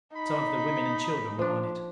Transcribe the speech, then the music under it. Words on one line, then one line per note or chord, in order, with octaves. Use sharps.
Some of the women and children were on it.
D#4 B5
F3 D4